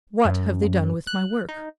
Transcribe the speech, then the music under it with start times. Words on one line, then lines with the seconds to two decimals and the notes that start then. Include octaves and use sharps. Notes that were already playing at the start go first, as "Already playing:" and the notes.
What have they done with my work?
0.25 F#2
1.07 F#6
1.49 D#4